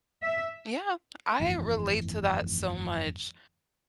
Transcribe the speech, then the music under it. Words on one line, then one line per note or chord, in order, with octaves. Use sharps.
Yeah, I relate to that so much.
E5
G1 F2 A2 E3